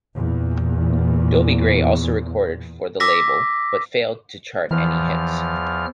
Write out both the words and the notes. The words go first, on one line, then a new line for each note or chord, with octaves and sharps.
Dobie Gray also recorded for the label but failed to chart any hits.
E2 A#2
D6 E6 A#6 B6
E2 E3 F3 F6